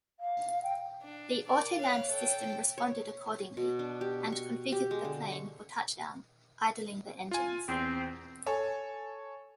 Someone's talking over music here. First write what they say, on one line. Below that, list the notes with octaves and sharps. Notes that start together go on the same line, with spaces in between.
The autoland system responded accordingly and configured the plane for touchdown, idling the engines.
F5
G5
D4
A#4 D5
C#5 F5 F#6
A4 G5
C#5
B2
D4
G4
C#6
G4
G#3
D3
C#6
F4 G#5
E2 C4
A4 C#5 G#5